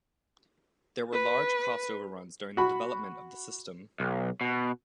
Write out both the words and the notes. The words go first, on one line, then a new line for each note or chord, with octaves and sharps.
There were large cost overruns during the development of the system.
B4
F#4 B5
B1
B2